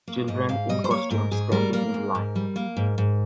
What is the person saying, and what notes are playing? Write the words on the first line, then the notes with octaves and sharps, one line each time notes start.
Children in costumes standing in line.
A#3
G#2 D#5
G#2 F5
G3 D#5
C5
A#3 C#5
G#2 A#4
G#2 G#4
G3 A#4
A#3 A#4
G#2
G#2
G3
A#3
G#2
G#2